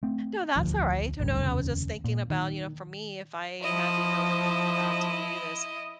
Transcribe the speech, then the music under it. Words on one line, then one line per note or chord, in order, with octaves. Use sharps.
No, that's all right. You know, I was just thinking about, you know, for me, if I had the ability f uh, to do this,
A3 C4
E1 A1 D2 F3
A1 D2 G2
F1 D#2 C#3
A#2
D#3
F3 E4 D#5